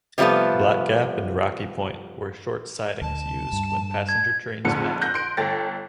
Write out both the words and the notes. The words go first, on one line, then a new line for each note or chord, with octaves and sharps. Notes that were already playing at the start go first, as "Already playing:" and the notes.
Black Gap and Rocky Point were short sidings used when passenger trains met.
C3 F3 G3 A3 B3
D2 A5
G2
G#6
A#1 F2 G#2 D3 C#7
F#6 G6 A#6
C6 D7
G1 A4 G5 A6 A#6